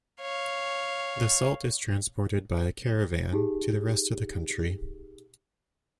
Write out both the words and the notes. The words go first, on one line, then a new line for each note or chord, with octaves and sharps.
The salt is transported by caravan to the rest of the country.
C#5 F5
D#4 G4 G#4